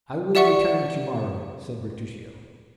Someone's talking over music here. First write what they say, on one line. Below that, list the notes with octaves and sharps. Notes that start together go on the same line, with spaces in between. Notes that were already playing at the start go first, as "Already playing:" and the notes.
"I will return to-morrow," said Bertuccio.
G4 D5 E5 F#5 C#6 C#7